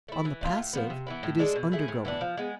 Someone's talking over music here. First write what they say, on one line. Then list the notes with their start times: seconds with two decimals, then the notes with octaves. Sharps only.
On the passive, it is undergoing.
0.08 A3 E4
0.25 E3
0.41 A3 D4
0.45 F4
0.58 A2
0.73 F3 G#3 B3
0.90 C3
1.07 E3 B3 E4
1.23 A2
1.39 G#3 D4 A4
1.56 B2
1.72 A3 E4 G#4
1.88 A2
2.05 E3 B3 D4
2.21 F3
2.37 G#3 B3